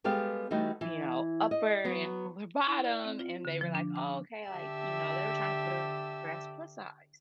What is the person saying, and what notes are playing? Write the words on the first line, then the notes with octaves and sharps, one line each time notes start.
you know, upper and fuller bottom and they were like, "Oh, okay," like, you know, they were trying to put her as plus size,
G3 G#3 B3 G4 A4 F5
E3 G3 A3 D#4 F#4
E3
D#5
F#3 B3
E4
D5
C4
F4
D3
F3
D4
D6
D3 G4 E5 A5 E6